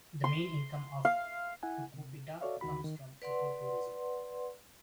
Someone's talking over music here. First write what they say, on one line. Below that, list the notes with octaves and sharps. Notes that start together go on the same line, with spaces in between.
The main income of Tucupita comes from eco-tourism.
C6
F5
E4 F#5 G#5
C3
F#4 A4 C#5 D5 E5 F5
D2 D#3 F#4 B5
D#3
B4 D5 F#5 C6